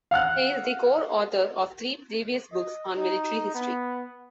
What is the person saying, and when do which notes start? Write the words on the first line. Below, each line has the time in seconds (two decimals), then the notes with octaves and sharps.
He is the co-author of three previous books on military history.
0.11 F5 F#5 F6 F#6
2.52 D#5
2.97 D#4
3.54 B3